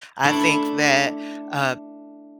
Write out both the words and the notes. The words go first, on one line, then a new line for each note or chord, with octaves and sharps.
I think that, uh,
A3 D4 E4 C6